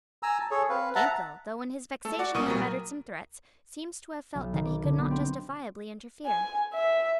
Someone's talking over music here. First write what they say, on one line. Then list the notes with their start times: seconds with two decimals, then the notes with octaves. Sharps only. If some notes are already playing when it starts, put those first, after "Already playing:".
Ginkell, though in his vexation he muttered some threats, seems to have felt that he could not justifiably interfere.
0.23 G#5 A#5 E6
0.39 A5
0.51 G#4 A4 C#5
0.70 C4 B4 F5
0.95 E5 F#5 A5 A#5
2.05 A3 A4
2.19 F#4 D5 F#5
2.34 C2 B2 A#3 C#6 D#6 D#7
2.46 A#2 F#3 G3
2.60 A#4
4.35 B1
4.53 D#3
4.65 D6
4.84 D3
4.98 B3
5.11 C4
6.26 G#5
6.73 E5